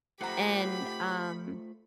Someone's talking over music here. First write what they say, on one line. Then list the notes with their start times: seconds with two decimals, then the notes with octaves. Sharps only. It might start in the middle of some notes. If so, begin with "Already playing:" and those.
And um,
0.21 A3 F4 G4 C5 F#5 A#5 B5